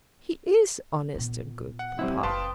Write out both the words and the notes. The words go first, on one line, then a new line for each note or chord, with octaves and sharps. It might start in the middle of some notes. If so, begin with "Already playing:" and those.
"He is honest and good, papa."
A#2 B3
F#5
G3 C4 E4
F#1 B4 F5 G5 A5 C6 D#6